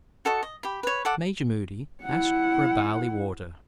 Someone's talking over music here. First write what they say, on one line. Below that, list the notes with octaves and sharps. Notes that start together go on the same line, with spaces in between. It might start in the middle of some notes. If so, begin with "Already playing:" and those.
Major Moody asked for barley-water.
F#4 A4 D#5 C#6
D#5
G4 B5
B4 C#5
A4 F#5 D6
E4 F#5